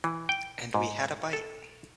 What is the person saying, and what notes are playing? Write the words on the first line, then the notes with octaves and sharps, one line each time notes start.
And we had a bite.
E3
G5
G#2
A4